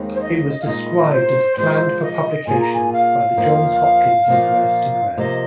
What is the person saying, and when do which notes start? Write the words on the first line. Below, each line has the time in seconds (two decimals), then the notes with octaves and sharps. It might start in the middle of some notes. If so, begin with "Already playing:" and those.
It was described as planned for publication by the Johns Hopkins University Press.
Already playing: D#2 D#3 G#3 C4
0.15 C5
0.21 D#5
0.62 F5
0.67 A#2 G#3 D#4 D#5
1.12 C5
1.57 A#2 F3 G#3 F4 C5
2.03 D#5
2.47 A#2 A#3 F4 G#4 G#5
2.61 A#5
2.73 G#5
2.93 F5
3.37 F2 F3 A#3 F4
4.28 A#2 F3 A#3
5.17 C3 F3 A#3 D#5